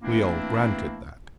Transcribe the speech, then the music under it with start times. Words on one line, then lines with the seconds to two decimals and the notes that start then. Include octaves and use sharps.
We all granted that.
0.02 E3 A3 A#3 C4 D4 E4